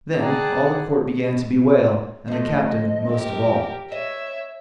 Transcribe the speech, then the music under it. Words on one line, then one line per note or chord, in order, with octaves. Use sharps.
Then all the court began to bewail, and the captain most of all.
G#4 C5 D5 F#5 G5 A5 A#5
F3 A3 D#5
G4 A#4
C#5 D#5 E5